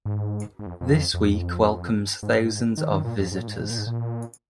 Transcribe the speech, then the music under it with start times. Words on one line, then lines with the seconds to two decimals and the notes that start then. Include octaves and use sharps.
This week welcomes thousands of visitors.
0.05 G#2
0.59 G#2
0.67 F2
0.81 F2
1.14 F2
2.23 G#2
2.77 D#3
2.92 D#3
3.04 A#2
3.18 F2
3.32 G#2
3.40 A#2
3.47 G#2
3.55 A#2
3.63 G#2
3.70 A#2
3.78 G#2
3.87 A#2